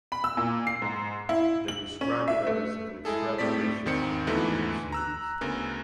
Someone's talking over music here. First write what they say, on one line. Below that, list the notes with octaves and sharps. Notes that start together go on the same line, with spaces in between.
They describe it as an "extrapolation" of the earlier series.
B5
E6
A#2
C7
G#2
E4
F#7
C#4
E5
A3
G#3 E4 G#4 A4
A2 A3 C4 D5 B6
G#1 D#3 C4 C#7
D2 G#2 D3 E3 A3 B3
A#5 E6 F#6
D2 C#3 B3 A#4